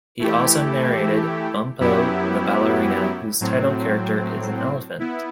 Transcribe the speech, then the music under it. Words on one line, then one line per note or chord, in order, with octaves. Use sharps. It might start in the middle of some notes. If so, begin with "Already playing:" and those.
He also narrated "Bumpo the Ballerina", whose title character is an elephant.
E3 A3 E4 G4
F#2 F#3 B3 E4 G4
A2 F#3 C4
B3 E4